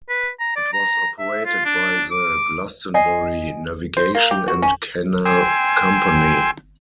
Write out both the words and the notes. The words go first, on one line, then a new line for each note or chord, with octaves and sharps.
It was operated by The Glastonbury Navigation and Canal Company.
B4
A#5
D5
A#5
E5
F4
D4
D6
D#5 G#5 C7
C5
A#3
G4
F#4
C#4
G5 G#5 C6 E6